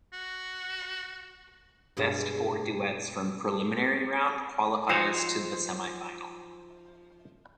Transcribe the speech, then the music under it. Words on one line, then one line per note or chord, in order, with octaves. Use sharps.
Best four duets from preliminary round qualifies to the semifinal.
F#4
G2 B2 G#3 F5
F3 D#4 F#4 C5 C#5